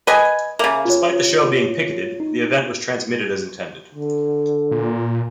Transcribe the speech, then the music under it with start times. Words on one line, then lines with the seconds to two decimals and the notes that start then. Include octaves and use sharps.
Despite the show being picketed, the event was transmitted as intended.
0.07 B4 D#5 G#5
0.59 C#3 A#3 E5
0.85 F4 C#5
2.20 D#4
3.94 D3
4.71 A#2